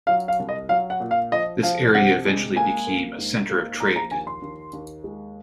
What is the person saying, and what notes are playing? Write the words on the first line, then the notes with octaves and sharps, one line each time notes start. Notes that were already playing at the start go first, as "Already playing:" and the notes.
This area eventually became a center of trade.
F#3 F5
F5
C2
D#5
F#3 F5
F#5
A#2
F5
F3 D#5
F3 F5
C3 F#5
G#3
A#3 G#5
A#3
G#2
A#3
F3 A#5
A#5
D#2 G#5
C6
D#2
D#2
G#3